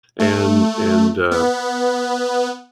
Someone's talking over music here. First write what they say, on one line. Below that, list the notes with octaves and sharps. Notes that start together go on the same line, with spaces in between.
and and, uh
A3
B3